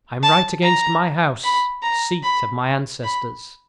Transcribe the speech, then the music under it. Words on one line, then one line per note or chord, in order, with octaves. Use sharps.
I am right against my house--seat of my ancestors.
A5
A#5
B5
A#5
B5
B5